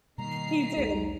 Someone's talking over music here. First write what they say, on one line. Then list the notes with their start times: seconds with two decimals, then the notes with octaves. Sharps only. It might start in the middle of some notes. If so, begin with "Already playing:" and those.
He did.
0.18 B2 D#3 G3 A#3 A#5 C7
0.77 B1 E2 G#2 G#3